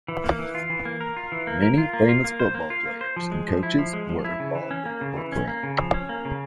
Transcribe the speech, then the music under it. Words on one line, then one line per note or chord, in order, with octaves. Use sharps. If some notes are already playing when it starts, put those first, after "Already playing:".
Many famous football players and coaches were involved in the program.
E3
A#3
E3
F4
E3
A#3
A#4
F4
E3
A#3
A#4
F4
A#3
F4
A#3
C5
A#3
F4
A#3
C5
F3
G#3
F3
E4
F3
G#3
F3
E4
C#3
E3
C#4
A#3
C#3
E3
C#4
A#3
C#3
F3
C#4
A#3
C#3